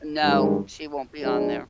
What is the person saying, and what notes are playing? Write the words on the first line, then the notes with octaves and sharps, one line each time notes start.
No. She won't be on there.
G2 D#3 G#3
G#2 F3 G#3 D4 G#4